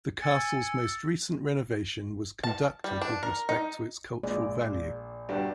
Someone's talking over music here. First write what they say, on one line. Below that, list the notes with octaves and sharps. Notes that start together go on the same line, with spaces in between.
The castle's most recent renovation was conducted with respect to its cultural value.
G#5 E6 A6 C#7
A5
G3
D4
A#4
D#4
A#1 A#2 G#3 D5
G1 G2 G3 D4 F#4 G4